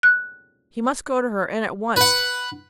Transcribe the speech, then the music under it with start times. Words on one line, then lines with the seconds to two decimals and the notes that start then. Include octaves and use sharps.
He must go to her, and at once.
0.03 F#6
1.96 B4 F#5